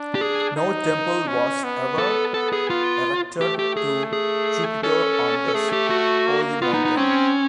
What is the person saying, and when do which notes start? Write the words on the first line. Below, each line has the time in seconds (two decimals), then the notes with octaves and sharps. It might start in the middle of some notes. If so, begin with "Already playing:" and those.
No temple was ever erected to Jupiter on this holy mountain.
Already playing: D4
0.15 G4
0.21 G#4
0.56 D#4
1.27 C#4
1.64 B3
1.98 A4
2.34 B3 A4
2.53 G#4
2.70 F4
3.41 A3 G4
3.59 G4
3.77 G#4
4.13 G#4
4.83 C#4 A4
5.48 A4
5.54 A3 G#4
5.73 G4
5.90 F#4
6.26 A#3
6.62 B3 F4
6.74 D#4
6.85 D#4
6.96 C4 C#4